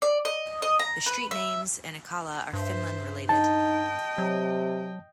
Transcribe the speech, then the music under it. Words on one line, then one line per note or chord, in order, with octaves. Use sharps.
The street names in Akalla are Finland related.
D5
D#5
D#5
A#5
B4
E5
G2 C5 E5
D#4 D#5 G5 A5
C3 F#3